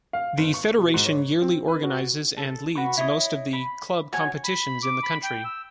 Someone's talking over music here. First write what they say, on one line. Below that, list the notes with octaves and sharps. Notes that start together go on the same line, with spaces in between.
The Federation yearly organizes and leads most of the club competitions in the country.
F5
G1
C#6
B2
G#2
C#5
C4
B4
F#4
A4
F#4 B4 C#6
E4 C#5 D#5
B5
F#4 C#5 G#5
B5
D6
B5
G5
E6